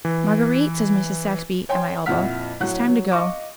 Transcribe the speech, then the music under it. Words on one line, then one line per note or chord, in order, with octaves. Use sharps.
"Marguerite," said Mrs. Saxby at my elbow, "it is time to go."
E3
C#5 G5 G#5 C6
F2 A#2 E4 F#5 F6 B6
A2 F#3 F#5 F#6
F#3
D#5 F5 C#6 D6